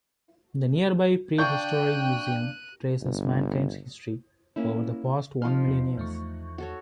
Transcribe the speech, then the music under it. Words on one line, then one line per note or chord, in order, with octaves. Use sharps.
The nearby Prehistory Museum traces mankind's history over the past one million years.
D4 D5 F5 G5 C#6 F#6 G6 D#7
G1
A#3 C#4 E4
F3 D#4 C6 F6
E2 B2
E2 A3 C#6
F#4 A4 C#5